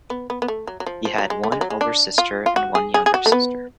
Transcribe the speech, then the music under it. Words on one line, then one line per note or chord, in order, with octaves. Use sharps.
He had one elder sister and one younger sister.
B3
B3
B3
A3
F#3
F#3
F3
F3
F#3
G#3
A3
G#3
F#3
G#3
D4
F4
F4
F#4
G#4
G#4
G#4
F#4
A3
B3